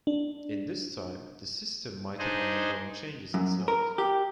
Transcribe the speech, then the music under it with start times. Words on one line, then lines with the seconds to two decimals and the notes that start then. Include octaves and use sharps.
In this time, the system might have undergone changes itself.
0.07 D4
2.19 D4 D#4 G#4 C5 D#5
3.34 F#2
3.68 A#4
3.98 G4